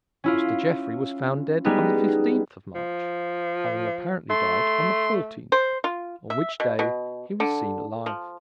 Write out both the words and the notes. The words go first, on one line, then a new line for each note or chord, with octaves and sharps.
Mr. Jeffrey was found dead on the fifteenth of March, having apparently died on the fourteenth, on which day he was seen alive.
C#4 E4 F4
G3 G#3 B3 D#4
F3
A3 C6
C5
F4
E5
B2
B2
D3
F3